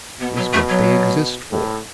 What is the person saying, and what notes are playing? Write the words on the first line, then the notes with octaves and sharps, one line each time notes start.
That is what they exist for.
B2 B3
F#3
A3
F#3
A2